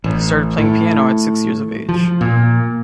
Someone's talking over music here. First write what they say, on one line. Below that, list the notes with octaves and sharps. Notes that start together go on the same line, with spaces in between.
He started playing piano at six years of age.
A1
A2
F3
A#2